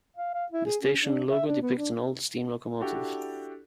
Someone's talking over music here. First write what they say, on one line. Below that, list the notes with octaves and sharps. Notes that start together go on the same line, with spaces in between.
The station logo depicts an old steam locomotive.
F5
F5
E4
G#4
C#4
D4
E5
D4
B3
D4
D4 E4 F#4 G4 A4 D5